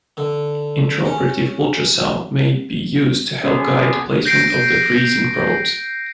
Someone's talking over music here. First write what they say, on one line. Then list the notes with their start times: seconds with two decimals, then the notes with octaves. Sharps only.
Intraoperative ultrasound may be used to help guide placement of the freezing probes.
0.17 D3
1.05 C#4
3.44 D3 B3 C#4 G#4
4.26 G6 A#6 C7 D7